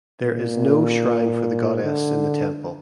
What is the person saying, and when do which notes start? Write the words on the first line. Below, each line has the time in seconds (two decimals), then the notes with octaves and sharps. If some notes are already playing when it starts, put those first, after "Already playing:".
There is no shrine for the Goddess in the temple.
0.24 A#2
1.84 D3